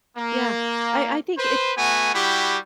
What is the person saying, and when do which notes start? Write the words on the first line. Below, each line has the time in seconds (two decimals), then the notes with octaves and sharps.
yeah, I I think it's
0.17 A#3
1.38 B4 C5
1.77 A3 B3 F#4 G#5
2.14 G3 E4 F#4 G4